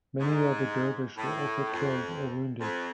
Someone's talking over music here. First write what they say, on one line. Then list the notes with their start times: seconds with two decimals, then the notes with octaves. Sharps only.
Many of the Dervish were also killed or wounded.
0.19 G#2
1.17 A2
1.72 F2
2.60 F2